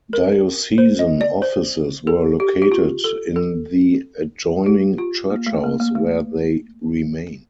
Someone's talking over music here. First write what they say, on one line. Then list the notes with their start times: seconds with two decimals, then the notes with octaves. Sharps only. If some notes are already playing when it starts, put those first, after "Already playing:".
Diocesan offices were located in the adjoining Church House, where they remain.
0.13 A#4
0.78 C5
0.99 D#5
1.21 D5
1.42 C5
2.07 A4
2.40 G4
2.62 G4
2.72 F4
3.04 A4
3.36 A4
4.66 G4
4.98 F4
5.30 A#3
5.47 A3
5.64 A#3
5.80 A#3
5.95 A3